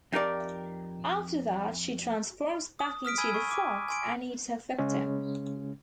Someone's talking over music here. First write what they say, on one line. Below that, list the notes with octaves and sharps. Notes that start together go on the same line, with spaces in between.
After that she transforms back into the fox and eats her victim.
F2 D#4 G4 A#4 D5
D#6
D#6 F6 B6 D7
G#5 B5 E6 G#6 D#7
C#6
D6
G#5 C6 D7
C#3 G#3 C#4